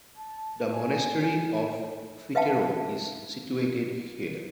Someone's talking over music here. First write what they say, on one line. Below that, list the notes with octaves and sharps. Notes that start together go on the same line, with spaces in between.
The Monastery of Fitero is situated here.
A5
G#5
B4 E5 F5 G5 A5